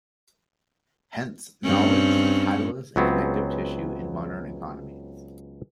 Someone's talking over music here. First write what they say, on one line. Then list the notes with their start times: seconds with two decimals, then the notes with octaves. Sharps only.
Hence, knowledge is the catalyst and connective tissue in modern economies.
1.64 G2 C4 C#4
2.96 C#2 F#3 B3 C4